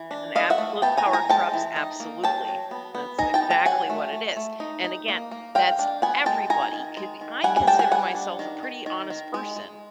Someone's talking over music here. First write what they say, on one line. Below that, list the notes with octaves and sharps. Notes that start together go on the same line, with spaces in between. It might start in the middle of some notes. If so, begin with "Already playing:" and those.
and absolute power corrupts absolutely. That's exactly what it is, and again, that's everybody, c I consider myself a pretty honest person,
Already playing: E3
D4
E3 D#5 F5
E5 F#5
A3
B3 G5 A5
G#5 A#5
E3
G#5 A#5
G#3 G5 A5
E3
D#4
A#3
F#3 G5 A5
F#3
B3
B3
D#4 G#5 A#5
G5 A5
B3
G5 A5
F#3 F#5 G#5
A3
A3
A3
D#4
D#4
A#3
A#3
G#3 F5 G5
D4
B3 F#5 G#5
G#3 G5 A5
D#4 G#5 A#5
D#3
G#3
D#3
G3 F#5 G#5
F#5 G#5
D4 G5 A5
F#5 G#5
G3 F#5 G#5
D4
D#3
D#3
D#3
D#3
G#3
G#3